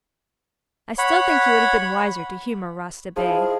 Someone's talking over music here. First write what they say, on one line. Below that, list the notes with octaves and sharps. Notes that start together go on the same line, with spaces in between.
I still think you would have been wiser to humour Rasta Bey.'
C#5 F#5 B5
F3 E4 G#4 D#5